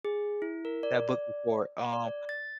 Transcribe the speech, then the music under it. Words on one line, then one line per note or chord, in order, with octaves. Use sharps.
that book before, um
G#4
E4
A#4
D5
D5
A6